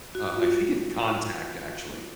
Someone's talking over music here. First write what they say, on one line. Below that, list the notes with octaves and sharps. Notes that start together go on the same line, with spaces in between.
Uh, I think it's Contact actually,
F#4
F4